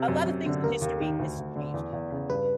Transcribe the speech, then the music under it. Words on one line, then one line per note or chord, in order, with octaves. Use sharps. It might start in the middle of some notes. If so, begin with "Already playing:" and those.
a lotta things in history has changed in America,
Already playing: C3
F#2
F#2
D3
D#2 A#4
D#2
D#3
D2
D2
D3
E2
E2
C#3
G2 B4